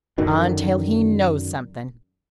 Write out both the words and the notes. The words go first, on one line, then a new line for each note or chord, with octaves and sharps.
"Until he KNOWS something!"
F#2 D3 D#3